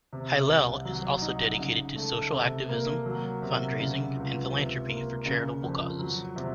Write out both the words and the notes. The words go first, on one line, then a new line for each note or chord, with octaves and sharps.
Hillel is also dedicated to social activism, fundraising, and philanthropy for charitable causes.
C3
C2
F#3
D#4
C#3
A3
C3
A#3
F#3
C3
C#3
C#2
C3
A#3
C#3
F2
F#3
C3